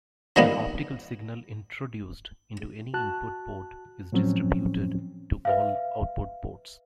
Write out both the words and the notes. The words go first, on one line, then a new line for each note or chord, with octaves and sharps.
An optical signal introduced into any input port is distributed to all output ports.
D#3 F3 G3 A#3 B3
F#4 A5 F#6
A2 F3 F#3 C4 C#4
B4 E5 F5